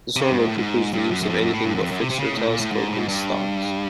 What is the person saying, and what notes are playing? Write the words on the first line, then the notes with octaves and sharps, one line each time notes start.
This normally precludes the use of anything but fixed or telescoping stocks.
C3
C#3
G2
G#2
A2
G#2
G2
F#2
F#2
F2
F#2
A2
G2
F#2
F2
F#2
C3
C3
C#3
A#2
A2
A#2
A2
G#2
A2
G#2
G2